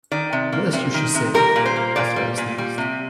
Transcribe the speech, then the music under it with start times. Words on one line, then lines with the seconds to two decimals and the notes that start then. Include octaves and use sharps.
Bless you she said, after I sneezed.
0.11 D#3 D5
0.33 C3
0.52 A#3
0.73 C3
0.94 D#3
1.15 C3
1.34 G3 A#4
1.56 A#2
1.65 C5
1.76 A#3
1.96 A#2 D5
2.16 G3
2.38 A#2
2.58 G3
2.78 C3